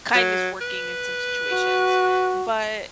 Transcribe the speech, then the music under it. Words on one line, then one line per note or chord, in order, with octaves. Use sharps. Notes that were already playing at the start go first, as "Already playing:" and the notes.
kindness working in some situations, but
F#3
B4
F#4